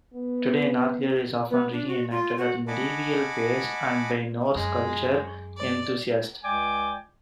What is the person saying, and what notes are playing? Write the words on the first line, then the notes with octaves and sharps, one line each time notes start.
Today, knattleikr is often re-enacted at medieval fairs and by Norse culture enthusiasts.
B3
B3
D4
F#4
F4
F#4
D#5 F#5 G#5 A5 B5 D6
F#2 G#3
D5
C#2 G#3 D5 G5 G#5 D6